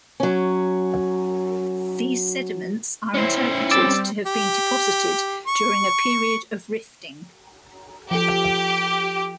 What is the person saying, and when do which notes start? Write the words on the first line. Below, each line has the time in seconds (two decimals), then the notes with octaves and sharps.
These sediments are interpreted to have been deposited during a period of rifting.
0.20 F#3 C#4
3.14 C#4 E4 C5
3.71 G3 C4 D6 E6 A6
4.26 G4
5.47 C#6
8.11 F3 G4 A4